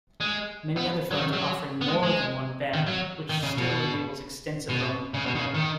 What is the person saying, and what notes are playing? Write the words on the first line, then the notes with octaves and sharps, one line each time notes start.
Many other phones are offering more than one band which still enables extensive roaming.
G#3
B3
F#3
D#3
F#3
B3
G#3
G#3
D#3
F#3
D#3
C#3
B2
B2
C#3
B2
D#3
C#3
D#3